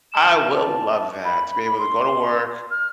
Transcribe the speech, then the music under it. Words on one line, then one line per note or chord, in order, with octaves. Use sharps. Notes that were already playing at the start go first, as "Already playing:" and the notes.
I will love that to be able to go to work,
E7
A5
B5
B5
C6
F6